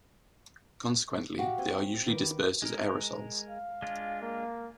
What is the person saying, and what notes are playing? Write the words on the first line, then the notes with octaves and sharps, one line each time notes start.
Consequently, they are usually dispersed as aerosols.
F#4 G4 F5 G5
C4 G#5
D#3 B4 D6
G#3 A#4
F5
G#3 D4 F4
A#3